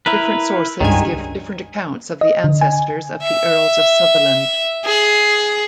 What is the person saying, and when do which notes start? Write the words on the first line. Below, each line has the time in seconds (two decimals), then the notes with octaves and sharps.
Different sources give different accounts of the ancestors of the Earls of Sutherland.
0.06 E4 A#4 B4
0.81 C#2 G2 D#3 G#5
2.21 D#5
2.44 D3
2.61 G#5
3.23 E5
4.85 G#4